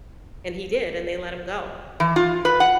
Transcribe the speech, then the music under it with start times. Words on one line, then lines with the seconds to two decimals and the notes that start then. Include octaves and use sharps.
and he did, and they let him go.
2.00 E3
2.16 F4
2.45 B4
2.60 F#5